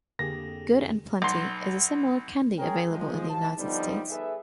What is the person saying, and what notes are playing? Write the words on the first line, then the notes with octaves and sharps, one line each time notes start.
Good and Plenty is a similar candy available in the United States.
F2 D3 A#3 G4 G#4 A#6
B1 C6
C#4 G#4 A#4 C#5 G5
F3 G#3
D#2 A5
D3 F3 G3 B3 D#4
G#4 A4 B4 E5